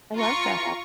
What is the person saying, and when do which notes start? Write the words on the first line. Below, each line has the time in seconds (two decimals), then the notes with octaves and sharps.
I love that.
0.16 F4 A#5 C#6